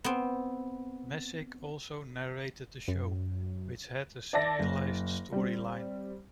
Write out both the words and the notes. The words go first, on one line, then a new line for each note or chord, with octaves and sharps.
Messick also narrated the show, which had a serialized storyline.
B3 C4
F#2
D5 E5 A5 A#6
F#1
G3 C4